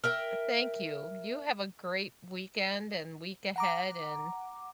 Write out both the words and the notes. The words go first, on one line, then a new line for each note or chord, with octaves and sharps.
eh thank you, you have a great weekend and week ahead, and
A#4 E5 G5
F#5 A#5 D6